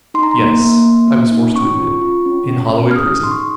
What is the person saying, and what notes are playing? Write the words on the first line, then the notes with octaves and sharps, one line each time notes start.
"Yes," I was forced to admit; "in Holloway prison."
D#4 C6
A#5
C6
A#3
A#3
A#3
A#3
D#4
C#4 C#6
F4
F4
C#4
C#4
C#4
F6
G#4 D#6
D#4
C6
C#6